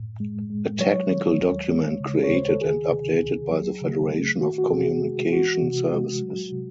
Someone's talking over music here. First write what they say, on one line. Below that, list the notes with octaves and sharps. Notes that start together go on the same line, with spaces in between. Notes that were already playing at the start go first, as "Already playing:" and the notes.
A technical document created and updated by the Federation of Communication Services.
Already playing: F#2 A2
G#3
G#3
F#3 C#5
D#3
D#2
G#3
C#3
C#5
D#2
C5
A4
D#3 G#4
C3
C#2
F#3
C#3
A3
D#3 F#4
F#4
C3 G#4
G#3
E3 F#4
C3
G#3
F#3
C3